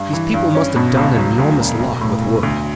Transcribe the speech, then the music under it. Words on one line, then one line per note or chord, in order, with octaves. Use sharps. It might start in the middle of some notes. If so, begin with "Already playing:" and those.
These people must have done an enormous lot with wood.
Already playing: G2
E3
G2
C#4
B2
C#2
F#3
D2
E1
B1
A2
B1
D2